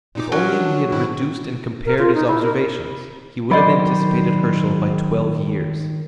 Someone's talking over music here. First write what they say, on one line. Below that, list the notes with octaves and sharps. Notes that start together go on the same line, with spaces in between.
If only he had reduced and compared his observations, he would have anticipated Herschel by twelve years.
A#2 D#4 D6
F#3 C#4 A#4
D4
G#2 D#3 E4
A#4
F4
D#4
E4
A#4
D#3 F#3 C5 D5 D#5 B5